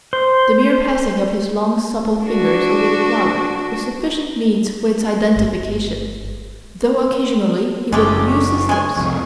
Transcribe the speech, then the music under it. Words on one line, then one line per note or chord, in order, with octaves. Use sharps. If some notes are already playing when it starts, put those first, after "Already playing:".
The mere passing of his long supple fingers over a flower was sufficient means for its identification, though occasionally he would use his lips.
C5
D4 F#4
G1
F#1 F#2 G#3 A3 G4 D6
C#6
G#3 G#5
C2 F2